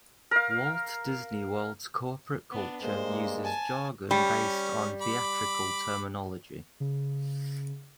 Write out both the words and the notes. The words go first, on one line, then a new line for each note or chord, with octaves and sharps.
Walt Disney World's corporate culture uses jargon based on theatrical terminology.
A#4 F5
B3 D4
G2 G#3 A#3 C5
G#5 A5
G3 C#4
B5 D6
C#3